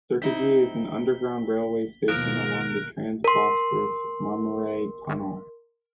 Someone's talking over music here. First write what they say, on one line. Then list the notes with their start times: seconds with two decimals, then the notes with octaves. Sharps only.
Sirkeci is an underground railway station along the trans-Bosphorus Marmaray tunnel.
0.22 C4 D#4 E4 B6 G7
2.08 D#2 B2 F3 A#4 F#6 D7
3.24 A#4 C6